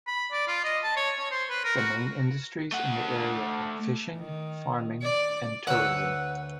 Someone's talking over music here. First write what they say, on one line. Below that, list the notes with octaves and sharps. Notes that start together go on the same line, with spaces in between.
The main industries in the area are fishing, farming, and tourism.
B5
D5
F4
D#5
A5
C#5
C#5
C5
B4
A#4
F#4
A3 F#5
D#3
D5
D2 B4 C#5 F#5 G5 E6